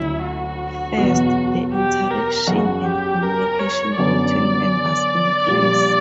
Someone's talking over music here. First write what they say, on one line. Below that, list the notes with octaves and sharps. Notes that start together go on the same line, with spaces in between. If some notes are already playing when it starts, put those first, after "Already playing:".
First, the interactions and communication between members increase.
Already playing: D2 D3 F#3 C#4 E4
F#4
E2 B2 F#3 B3
G4
A#4
F#1 F#2 C#3 F#4
G4
A#4
C#5
F#2 D3 F#3 B3 D5
A#1 A#2 G3